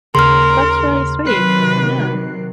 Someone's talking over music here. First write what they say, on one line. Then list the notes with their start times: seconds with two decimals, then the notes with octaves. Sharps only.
That's really sweet, yeah.
0.15 D#2 C#3 A#4 C6 F6
1.27 C3 D#3 F#3 B4 F#6 C7